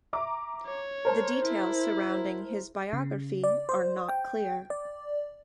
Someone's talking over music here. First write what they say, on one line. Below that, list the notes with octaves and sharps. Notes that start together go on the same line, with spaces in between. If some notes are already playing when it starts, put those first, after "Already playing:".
The details surrounding his biography are not clear.
E5 A#5 D6
C#5
A#4 C5 A5
E4
C#3
D5
C5
G5
D5